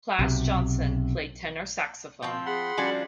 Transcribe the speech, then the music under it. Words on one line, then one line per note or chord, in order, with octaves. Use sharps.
Plas Johnson played tenor saxophone.
B1 C3
F3 C4 G5
G#4 F#5 B5 C6
F3 G3 C#4 D4 F#4 G#5